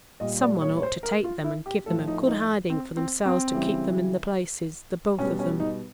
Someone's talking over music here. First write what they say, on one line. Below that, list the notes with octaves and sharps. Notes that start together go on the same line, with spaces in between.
Someone ought to take them and give them a good hiding for themselves to keep them in their places, the both of them.
A#2 G3 D#5
D5
C#5
C#5
C5
A#4
F4
E4
G4
A2 F3 A4
D#4
D#4
C4
C4
C4
C#3 E3 G3
B2 G3 C#4
C#4
D#4